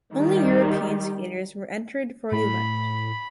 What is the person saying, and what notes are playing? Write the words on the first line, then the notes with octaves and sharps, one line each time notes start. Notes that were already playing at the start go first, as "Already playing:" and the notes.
Only European skaters were entered for the event.
D#3 G3
A2 B5